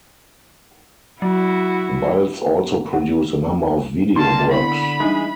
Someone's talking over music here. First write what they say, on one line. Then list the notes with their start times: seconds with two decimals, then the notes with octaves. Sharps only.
Baltz also produced a number of video works.
1.22 F#3 E4 F#4
2.93 F#5
4.16 D3 A#3 A5 C6
4.51 B3 E4 B5
5.00 E3 G3 G#3 D4 D#4